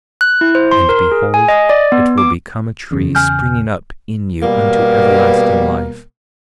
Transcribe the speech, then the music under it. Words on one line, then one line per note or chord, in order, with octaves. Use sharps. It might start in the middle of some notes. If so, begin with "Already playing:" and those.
And behold, it will become a tree, springing up in you unto everlasting life.
F#6
E4
C5
C6
A#4
G#4
G#5
D#5
D5
B3
D6
E2 C#3
G#5 F6 G6
B2 G3 A#3 B3 A#4